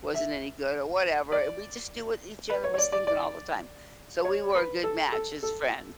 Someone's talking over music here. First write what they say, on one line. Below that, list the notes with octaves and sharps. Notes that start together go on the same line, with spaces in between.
wasn't any good or whatever. We just do what each other was thinking all the time. So we were a good match as friends.
E5
D5
B4
C#5
C#5
D5
D5
D5
C#5
B4
A4
A4
A4